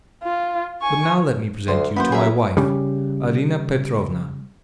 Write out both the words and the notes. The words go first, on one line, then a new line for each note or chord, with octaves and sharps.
But now let me present you to my wife, Arina Petrovna.
F4
G#5 C#6
D2 D3 C6
F#3 A#3 B3 C#4 E4 A4 C5
F#3 A3 G#4 A#4 C#5 E5
C#3 G3